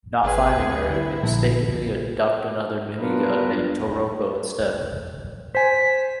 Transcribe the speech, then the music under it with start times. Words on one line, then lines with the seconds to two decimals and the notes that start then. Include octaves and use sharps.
Not finding her, they mistakenly abduct another Mimiga named Toroko instead.
0.23 G#1 G#4 B4
0.57 D2
0.90 D3 E4
1.23 A#1
2.99 F#3 B3 D4 F4 A#4 B4
5.55 C5 G#5 B6